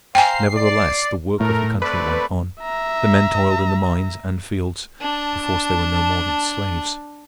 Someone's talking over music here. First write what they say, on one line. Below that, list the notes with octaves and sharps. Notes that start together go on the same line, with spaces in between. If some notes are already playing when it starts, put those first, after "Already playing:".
Nevertheless the work of the country went on. The men toiled in the mines and fields--perforce they were no more than slaves.
C5 F5 G5 G#5 A#5 C7
D5
A2 A3 A#4
A3 C4 B4 D5
E5 A#5
D4 A5